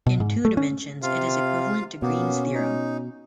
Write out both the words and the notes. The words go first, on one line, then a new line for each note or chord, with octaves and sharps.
In two dimensions, it is equivalent to Green's theorem.
B2
G#2
A3
C#4
C3 F4 F5
B2 A#3 B3 C#4
D#4